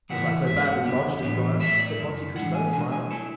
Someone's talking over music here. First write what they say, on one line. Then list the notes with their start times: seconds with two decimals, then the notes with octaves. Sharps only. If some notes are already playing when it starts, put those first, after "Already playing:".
"Was I so badly lodged at Rome?" said Monte Cristo smiling.
0.09 C#3 E3 A3 E4 F#5
0.47 G#2 G#3 E5
0.65 F#5
0.84 E2 C#3 F#3 B3 D4
1.23 A2 E3 B3 D4
1.60 A2 F#3 A3 E5
1.79 D5
1.98 F#2 C#3
2.36 A2 E3 G#3 D4 F#5
2.54 G#5
2.73 B2 G#3 D4 G#5
2.92 G#5
3.11 F#3 A3 E4 A4